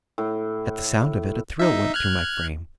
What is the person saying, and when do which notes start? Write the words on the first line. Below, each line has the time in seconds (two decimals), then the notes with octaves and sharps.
At the sound of it, a thrill went through my frame.
0.18 A2
1.60 D#4 E5
1.94 F6 F#6 G#6